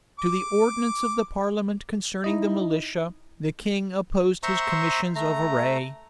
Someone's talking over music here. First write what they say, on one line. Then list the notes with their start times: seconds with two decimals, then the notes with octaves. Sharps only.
To the ordinance of the parliament concerning the militia, the king opposed his commissions of array.
0.19 D6
2.24 D#4 E4 D#5
4.43 C5 E5 A#5 C6 C#6
5.15 A3 A#5